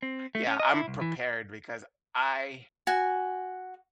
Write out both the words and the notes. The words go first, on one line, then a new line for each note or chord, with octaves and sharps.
Yeah, I'm prepared because I
C4
A3
C#4
D#5
E4
C2
E3
F#4 G#5